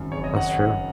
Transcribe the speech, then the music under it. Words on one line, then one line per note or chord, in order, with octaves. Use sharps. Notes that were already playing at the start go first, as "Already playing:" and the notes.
That's true.
Already playing: G#1 F#2
F#1 C#5
D#5
C#5 F#5